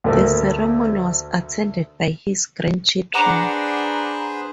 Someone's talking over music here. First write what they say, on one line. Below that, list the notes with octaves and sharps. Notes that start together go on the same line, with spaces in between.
The ceremony was attended by his grandchildren.
D2 A3 A#3
D4 G#4 B4 C5 F#5 A#5 D6